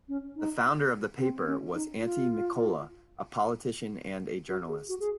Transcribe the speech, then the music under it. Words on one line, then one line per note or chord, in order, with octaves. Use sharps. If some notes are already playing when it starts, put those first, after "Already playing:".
The founder of the paper was Antti Mikkola, a politician and a journalist.
C#4
D#4
C4
C#4
D#4
F4
F#4
G#4
F#4
G#4